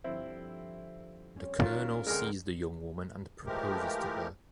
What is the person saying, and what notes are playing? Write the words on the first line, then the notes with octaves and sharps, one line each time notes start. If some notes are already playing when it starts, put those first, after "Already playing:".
The colonel sees the young woman and proposes to her.
G1 F3 G3 C4 E4
G3 C4 C#4
D#3 F#3 F4 A#4
D2 G#3 C4 A#4
E3 F3 G#3 A3 G4 A#4